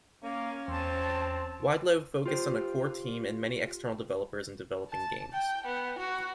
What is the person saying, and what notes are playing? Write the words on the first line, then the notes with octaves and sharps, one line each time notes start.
Wideload focused on a core team and many external developers in developing games.
A#3 C#4
E2 C4 C5 A5
F4 G4 C5
A5
G5
B3
F#4